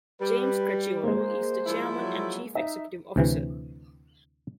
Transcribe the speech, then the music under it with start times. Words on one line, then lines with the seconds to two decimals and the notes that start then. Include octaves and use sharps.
James Cracchiolo is the chairman and chief executive officer.
0.21 G3 B4
1.03 G#3 A#3 C5
1.67 F3 G3 E4
1.99 F#3
2.55 D#4 E5
3.16 D2 C3 E3